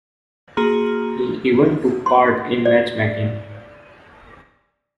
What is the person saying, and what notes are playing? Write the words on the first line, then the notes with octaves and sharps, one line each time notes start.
He even took part in matchmaking.
A#3 F#4 G#4 A#5 C6 F6
C6
D5